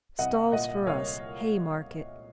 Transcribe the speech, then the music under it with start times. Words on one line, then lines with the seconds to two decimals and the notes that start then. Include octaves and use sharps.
Stalls for us, Haymarket.
0.19 C2 D#5 F#5
0.52 A#2 D#5 F#5
0.87 C2 C#5 F5